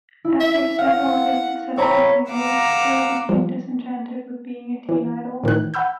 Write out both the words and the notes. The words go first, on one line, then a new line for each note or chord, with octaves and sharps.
After several other successful singles, Gil became disenchanted with being a teen idol.
E4
E5
F5 F#5
C4 C#5 A#5 B5
F5 F#5 A#5 D6 E6
F3 G3
E3
A2 D#3 E3 F#6
F#5 B5 E6 G6